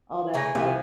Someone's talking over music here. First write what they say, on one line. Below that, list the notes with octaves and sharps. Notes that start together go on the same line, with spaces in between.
all that stuff.
C#3 E3 A3 G#5 A#5 A#6
C2 F3 G4 E5